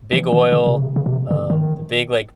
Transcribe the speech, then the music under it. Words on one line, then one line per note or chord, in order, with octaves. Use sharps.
big oil, um, the big, like,
E3
D#3
D3
C3
C#3
C3
C#3
B2
C3
D3
D#3